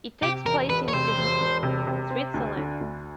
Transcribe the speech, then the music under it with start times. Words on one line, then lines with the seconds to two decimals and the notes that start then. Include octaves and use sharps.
It takes place in Zurich, Switzerland.
0.23 C3 G4
0.46 E1 A#4
0.70 E1 B4
0.88 C#5
0.93 C3 C5
1.17 E1
1.40 E1
1.63 C3
1.87 C3
2.10 C4
2.34 D2
2.57 D3
2.81 D2